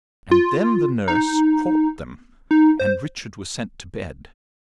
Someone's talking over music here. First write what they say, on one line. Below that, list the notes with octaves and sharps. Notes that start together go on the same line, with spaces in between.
And then the nurse caught them and Richard was sent to bed.
F4
D#4
D#4
C5